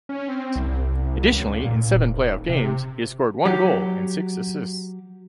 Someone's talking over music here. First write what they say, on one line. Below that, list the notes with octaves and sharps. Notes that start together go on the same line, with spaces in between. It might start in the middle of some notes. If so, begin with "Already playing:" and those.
Additionally, in seven playoff games, he scored one goal and six assists.
C#4
C4
C2
C#2
A#2
D#1
C3
F#3 G4